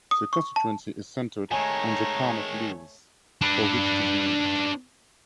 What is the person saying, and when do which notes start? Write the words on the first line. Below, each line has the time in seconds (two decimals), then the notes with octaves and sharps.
The constituency is centred on the town of Lewes, for which it is named.
0.11 D#6
0.33 C#6
0.56 A5
1.51 D#3 G#3 A3 C#5 G#5 A#5
3.41 D4 B4